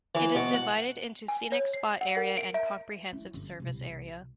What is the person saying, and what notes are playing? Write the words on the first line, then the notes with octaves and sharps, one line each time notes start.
It is divided into Scenic Spot Area and Comprehensive Service Area.
E3
B2
F#5
G#5
C#5
C7
F#5
A#4
D7
E5
C#4 E4
G1
C2 B2